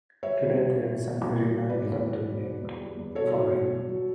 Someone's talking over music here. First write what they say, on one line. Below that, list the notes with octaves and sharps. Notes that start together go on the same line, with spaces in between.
Today there is an arena in London named for him.
G3 C#5 E5
G3
B2
B2
G3
B2
G3
B2
B2 B4 D5
E2
G3
B2
G3
E2
G3
E2
B2 A4 C#5
F#3
B2
F#3
F#3